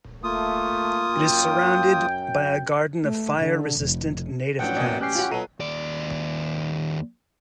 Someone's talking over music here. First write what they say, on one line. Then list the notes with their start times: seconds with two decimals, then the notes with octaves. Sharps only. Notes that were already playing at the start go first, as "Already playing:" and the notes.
It is surrounded by a garden of fire resistant native plants.
0.24 A3 A#3 F4 D#6
1.15 F#2 G5
3.04 A3
3.38 D3
3.81 F1
4.59 A1 A2 F3 F#3 D4 F#5 G5
4.76 E2 B2 A#3 D5 D#5 G#5
5.01 C#4 G4 G5 F#6 C7
5.15 F4 F#4
5.32 B2 F#3 A4 A#5 D#7
5.60 D#2 D5